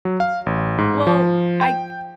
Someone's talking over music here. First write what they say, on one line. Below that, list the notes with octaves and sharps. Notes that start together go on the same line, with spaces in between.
Well, I
F#3
F5
A1
G#2
F3
G5